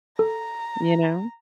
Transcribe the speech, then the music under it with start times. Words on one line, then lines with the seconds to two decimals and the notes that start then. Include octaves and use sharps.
you know?
0.19 A4 A#5